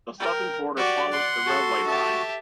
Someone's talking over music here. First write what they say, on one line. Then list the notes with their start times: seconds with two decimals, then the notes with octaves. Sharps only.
The southern border follows the railway line.
0.20 A#4 G5
0.77 F#4 G4 D5
1.12 F#5 C6
1.46 F#4 A4
1.87 G4 E5 A5